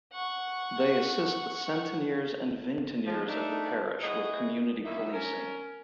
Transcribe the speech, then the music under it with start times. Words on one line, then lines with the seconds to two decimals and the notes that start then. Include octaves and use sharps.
They assist the Centeniers and vingteniers of the parish with community policing.
0.12 F#5 C#6
3.06 F3
3.27 A3 D4 D#4
4.03 E4 F#4 G#4 D#5
4.85 G2 D#3 A#3 D#4 E4 E5
5.13 C#4 A#4